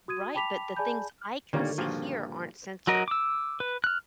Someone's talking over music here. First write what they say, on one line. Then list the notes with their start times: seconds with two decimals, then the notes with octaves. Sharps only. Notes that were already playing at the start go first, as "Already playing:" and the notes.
right, but the things I can see here aren't censored.
0.08 F#4 D#6 G#6 D#7
0.34 G5 A5 B5 D6 B6 F7
0.76 G#4 D5 G#5 A5 B5 G6
1.53 A#2 D3 D#3 G3 A#3 C#5
1.78 G2 A#2 F3 F#4
2.87 F#3 F#4 A#4 D#5
3.08 D6 E6
3.60 B4
3.84 F6 F#6